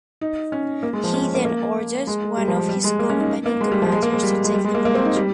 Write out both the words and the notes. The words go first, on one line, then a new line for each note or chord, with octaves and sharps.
He then ordered one of his company commanders to take the ridge.
D#4
C#4
A#3
G#3
F3
C#4
C#4
A#3
A#3
G#3
G3
F3
G3
G#3
A#3
C#4
D#4
A#3
G#3
G3
F3
G#3
A#3
G#3
G3
G#3
G3
G#3
A#3
A#3
C4
D#4
G3